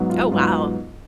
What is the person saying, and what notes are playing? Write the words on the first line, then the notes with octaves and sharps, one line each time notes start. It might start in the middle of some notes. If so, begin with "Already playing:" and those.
Oh, wow.
Already playing: G#2 F#3 B3
F4
G#2 F#3 B3 F4